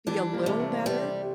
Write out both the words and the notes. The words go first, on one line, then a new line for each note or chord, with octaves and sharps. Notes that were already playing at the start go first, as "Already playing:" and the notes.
be a little better
E3 G3 D4
G3 A#3
C3
A3 C4
G3